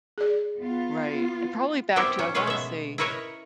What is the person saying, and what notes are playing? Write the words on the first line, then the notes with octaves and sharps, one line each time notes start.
Right, probably back to I wanna say,
G#4 D5
B3 F4
G3 B3 C4 E4 G4 E5
F#3 C#4
B2 G#3 A3 C#4 B4 F5
B3 E5
E4 A#4 B4 C#5 D#5 E5